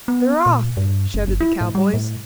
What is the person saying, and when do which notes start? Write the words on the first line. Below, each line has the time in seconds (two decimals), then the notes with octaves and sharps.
"They're off!" shouted the cowboys.
0.08 B3
0.46 A#2
0.77 G2
1.14 F#1
1.27 G1
1.40 E4
1.61 A2
1.75 G3
1.94 A2